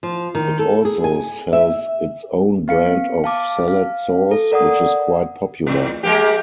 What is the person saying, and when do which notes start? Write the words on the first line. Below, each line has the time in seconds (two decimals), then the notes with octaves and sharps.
It also sells its own brand of salad sauce, which is quite popular.
0.03 F3
0.35 D#3
0.59 A4
0.85 G#4
1.04 G#5
1.53 E5
2.68 B3 F5 C#7
3.24 F5 A5 D6
3.68 F5
4.31 A4
4.52 A#4 D5 F#5 D#6
5.67 E2 A2
6.03 G#3 A#3 G4